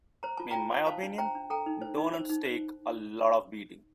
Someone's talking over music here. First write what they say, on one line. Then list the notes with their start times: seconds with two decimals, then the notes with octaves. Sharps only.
In my opinion, doughnuts take a lot of beating.
0.23 C5 A#5
0.37 F4 A5
0.51 F4 G5 A#5
0.71 C5
0.87 C5 F5 A5
1.03 D4
1.18 C5 G5 A#5
1.35 D4
1.50 A4 G5 A#5
1.66 D#4
1.82 C5
1.98 D#4
2.14 C5
2.30 D#4
2.46 C5